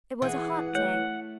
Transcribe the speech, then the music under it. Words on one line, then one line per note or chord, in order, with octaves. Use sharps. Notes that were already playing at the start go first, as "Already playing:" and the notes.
It was a hot day.
E3 G#4 F#5
A3 C#5 F#5